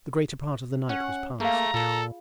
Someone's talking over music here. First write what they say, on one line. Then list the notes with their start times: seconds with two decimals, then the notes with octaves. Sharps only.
The greater part of the night was past.
0.89 C#4 F#5
1.40 A3 A#3 G#4 F5 A#5
1.74 A#2 F4 A4